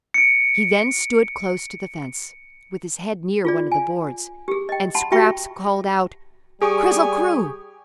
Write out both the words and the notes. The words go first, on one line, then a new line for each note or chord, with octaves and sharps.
He then stood close to the fence, with his head near one of the boards, and Scraps called out "Krizzle-Kroo!"
C#7 D7
F4 G#4 D5
G#5
G4 G#4
D#5 G5
F#5 A5 B5 C6
F#4 G4 E5 G5 B5 C#6
G3 G4 G#4 G#5 C#6 D#6